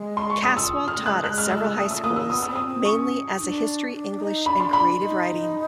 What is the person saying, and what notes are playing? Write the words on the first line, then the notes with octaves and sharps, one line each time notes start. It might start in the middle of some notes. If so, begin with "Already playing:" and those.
Caswell taught at several high schools, mainly as a history, English and creative writing.
Already playing: G#3
C6
C#6
D#6
E6
F6
A3
G#3 F#6
G#3 F#6
F6
E6
E6
A3 D#6
E6
A#3 D#6
E6
B3 D#6
E6
C4
D#6
C4
C#4 D4 C#6
D#4
D4
D4
D#4
D4 B5
C6
B5
D#4